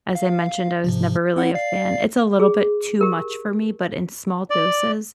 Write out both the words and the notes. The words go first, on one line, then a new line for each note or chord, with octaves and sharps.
as I mentioned, I was never really a fan. It's a little bit too much for me, but in small doses,
F5
G#2 C3 F3
C4 E4 F#5
D5 F5 C7
G#4
G4 A#4
D5